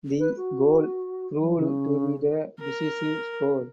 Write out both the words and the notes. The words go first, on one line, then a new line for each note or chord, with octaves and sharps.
The "goal" proved to be the decisive score.
B4
F#4
F#3
C#3
A#4